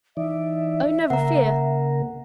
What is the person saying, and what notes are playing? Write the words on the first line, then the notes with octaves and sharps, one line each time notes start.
'Oh! never fear!
E3 D#4 D5 E5
C#3 A#3 A#4 F#5 A#5